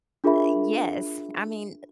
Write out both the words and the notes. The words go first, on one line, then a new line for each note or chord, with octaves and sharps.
Uh, yes. I mean
D4 F4 G#4 A#4 E5 B5